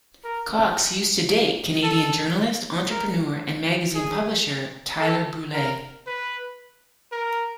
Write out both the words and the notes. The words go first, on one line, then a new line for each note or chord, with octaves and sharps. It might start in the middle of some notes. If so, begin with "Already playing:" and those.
Cox used to date Canadian journalist, entrepreneur, and magazine publisher Tyler Brûlé.
A#4
A4
A#4
G#4
A4
A#4
B4
A#4